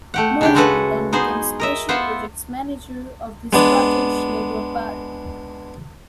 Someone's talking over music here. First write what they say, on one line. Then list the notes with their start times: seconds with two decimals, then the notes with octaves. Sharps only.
Murphy then became Special Projects Manager of the Scottish Labour Party.
0.14 A3 G4 F#5
0.41 C#3 D4 G4
0.55 G#3 C#4 F#4 A4 B4 F#5
1.13 B3 D#4 G#4 C5
1.60 A#4 D#5 E5
1.89 B3 E4 F4 C5 E5 F#5
3.53 G#3 B3 D4